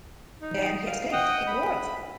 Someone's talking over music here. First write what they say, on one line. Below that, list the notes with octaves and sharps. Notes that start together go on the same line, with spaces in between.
Then, he exclaimed: It works!
D#4
F5
D#5 F#5 G5 D#6
B5